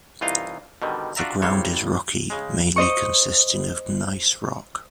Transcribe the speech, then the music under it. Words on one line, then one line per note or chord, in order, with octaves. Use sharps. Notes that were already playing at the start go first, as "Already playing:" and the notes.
The ground is rocky, mainly consisting of gneiss rock.
C2 E3 D#4 F4 D#5 F5
B2 D3 D#3 G3
D4 F4 F#4 D5 E5 A#5
G#1 G2 F#3 G3 C5 C#5
C#3 G#3
C5 D#5 C#6